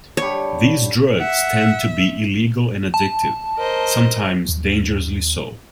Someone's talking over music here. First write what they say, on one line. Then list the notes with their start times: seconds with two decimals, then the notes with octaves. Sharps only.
These drugs tend to be illegal and addictive, sometimes dangerously so.
0.17 D3 G3 C#5
1.20 E5 F#5
2.94 A5
3.58 A#4 C5 D#5
4.49 D#2